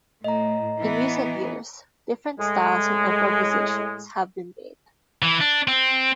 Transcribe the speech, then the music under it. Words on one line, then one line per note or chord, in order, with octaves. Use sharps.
In recent years, different styles and improvisations have been made.
A2 D#5 A#5
E3 B3
A2 G#3
E3
D4
C4